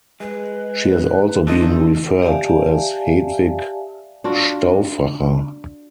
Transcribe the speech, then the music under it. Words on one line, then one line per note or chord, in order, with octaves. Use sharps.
She has also been referred to as Hedwig Stauffacher.
G#3 B4
E2 D#3 D4 D#4 F4 A4 D#5
G4 D5 E5 F5 G#5 A5
D4 F4 F#4